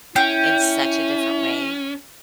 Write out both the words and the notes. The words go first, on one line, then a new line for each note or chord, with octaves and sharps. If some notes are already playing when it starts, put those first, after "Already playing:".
in such a different way.
C#4 E4 G5